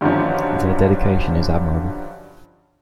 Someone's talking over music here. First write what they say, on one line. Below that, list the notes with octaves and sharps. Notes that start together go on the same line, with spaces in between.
Their dedication is admirable.
G2 D3 D#3 F3 F#3 C#4